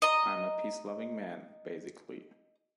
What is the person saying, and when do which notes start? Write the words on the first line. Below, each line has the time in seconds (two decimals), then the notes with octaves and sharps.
I'm a peace-loving man, basically.
0.02 D#5 A#5